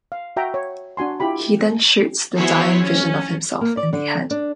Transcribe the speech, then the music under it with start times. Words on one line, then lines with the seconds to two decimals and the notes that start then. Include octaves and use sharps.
He then shoots the dying vision of himself in the head.
0.12 F5
0.37 F#4 E5 G5 A#5
0.54 C#5
0.97 D4 F#4 G#5 C6
1.20 E4 F4 G4 B5
2.36 B3 E4 F#4 G#4 C5 C#5
2.82 C#4
3.61 A#3
3.77 D5
3.93 D3
4.31 D4